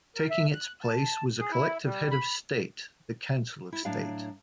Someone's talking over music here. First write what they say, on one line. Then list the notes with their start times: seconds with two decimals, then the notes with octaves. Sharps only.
Taking its place was a collective head of state, the Council of State.
0.16 A#4
0.30 E5
0.54 F#6
0.82 A5
1.40 G#4
1.51 E4
1.84 G3
2.11 B5
3.72 E4
3.85 A2 F#3 D4 F5